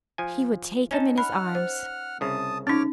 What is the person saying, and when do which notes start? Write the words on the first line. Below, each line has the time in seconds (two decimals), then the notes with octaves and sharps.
He would take him in his arms.
0.18 F3 G#5
0.91 C#4 D#4 A5
1.18 F#5 B5 F6
1.55 C5
2.21 C2 C#3 A5 D#6
2.67 C#4 D#4 C#5 D6 F6